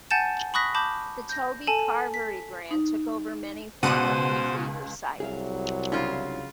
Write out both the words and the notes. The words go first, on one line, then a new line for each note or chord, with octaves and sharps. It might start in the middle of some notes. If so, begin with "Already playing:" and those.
The Toby Carvery brand took over many former Beefeater sites.
F#5 G#5 A5 G6 A6 E7
B5 C#6 D#6 F#6 A#6 B6
A5 B5 D6 G6
G6 A#6
A4 G#5 A5
B6
D#4
C#2 B2 C5 F#5 F#6 B6 D#7
C2 F#3 G#4 E5 F5
C#3 D4 E4 F4